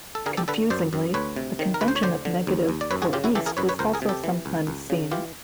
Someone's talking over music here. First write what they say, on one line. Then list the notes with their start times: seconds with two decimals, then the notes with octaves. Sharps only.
Confusingly, the convention of negative for East is also sometimes seen.
0.15 A4
0.26 D3 G#4 A#4
0.37 G4 A4
0.48 D3 A4 B4
0.70 F#2 C5 D5
0.93 F#2
1.14 D2 B4 C#5
1.36 C3
1.59 D#3
1.74 A#4
1.81 D2 B4
1.88 C5
1.96 C#5
2.03 D3 C5 D5
2.25 D3
2.47 D#2
2.69 D#2
2.81 D5
2.91 F#2 B4 C#5
3.02 F#4 G#4
3.13 C#3 F4 G4
3.24 E4 F#4
3.35 E3 G4 A4
3.46 G#4 A#4
3.57 F#2 B4 C#5
3.69 B4 C#5
3.79 C#2 A#4 C5
3.94 G#4 A#4
4.02 C3
4.09 G4 A4
4.24 E3
4.46 C#2
4.67 C#2
4.90 C#3
5.11 E3 F4 G4